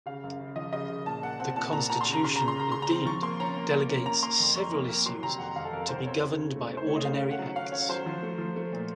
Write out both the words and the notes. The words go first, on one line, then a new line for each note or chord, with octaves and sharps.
The Constitution, indeed, delegates several issues to be governed by ordinary Acts.
C#3 F5
F#2
C#3
F3 D#5
C#3 D#5
C#3
A#2 A5
A#2 F#5
C4 F#5
A#2 A5
A#2 A#5
A#2 A#5
C6
C#3
A#5
C#3 C6
C#3 A#5
C6
C#3 A#5
C#3 C6
A#5
C4
F3 C#6
A#3 C6
C#4 A#5
A#3
A#3
C#4
A#3 A#5
A#3 C6
F2
F2 C#6
A#3
A#3
F#3 C6
C3 A#5
F2 F#5
F2 F5
A4
F2 A#4
F2 C5
C4 C#5
C#3
C#3
A3
A3 C5
A3 C#5
D#5
C#3 F5
C#4
F#5
F#3
C#4 F5
C#4 C#5
F#3 C5
F3
A3
F3
A3
A#2